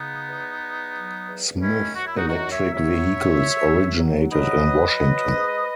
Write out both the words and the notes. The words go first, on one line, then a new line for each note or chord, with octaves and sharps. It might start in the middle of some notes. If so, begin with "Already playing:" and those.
Smith Electric Vehicles originated in Washington.
Already playing: C#3 B3 D#4
E2
E2
F#3
E2
D#3 C#4 E4
F#2 F#4
E4
D#4 F#4
F#2 D#4 F#4
C#5 E5
F#3
C#5 E5
F#3
F#2
F#2
F#3
F#3 B4 D#5
F#3
F#3
G#2